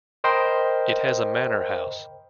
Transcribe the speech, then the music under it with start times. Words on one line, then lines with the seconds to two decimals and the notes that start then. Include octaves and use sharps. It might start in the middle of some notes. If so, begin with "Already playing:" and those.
It has a Manor house.
0.24 A#4 C5 D#5 G5 B5 C6